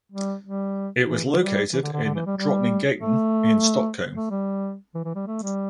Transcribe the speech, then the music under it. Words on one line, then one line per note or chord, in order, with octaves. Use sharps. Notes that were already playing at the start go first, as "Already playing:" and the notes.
It was located in Drottninggatan in Stockholm.
G3
G3
E3
D3
G3
E3
D3
D3
D3
E3
G3
G3
A3
A3
G3
E3
E3
G3
A3
G3